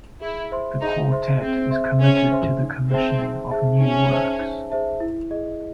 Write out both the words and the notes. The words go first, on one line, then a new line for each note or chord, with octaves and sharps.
The quartet is committed to the commissioning of new works.
E4 G#4
C5 E5 C6
D#4 G#4
C5 E5 C6
C4 G#4
C5 E5 C6
C#4 G#4
C5 E5 C6
D#4
C4 G#4 C5 E5 A5
D#4
G#4 C5 E5 A5
C#4 D#4
G#4 C5 E5 A5
D#4
G#4 C5 E5 A5
E4
G#4 D#5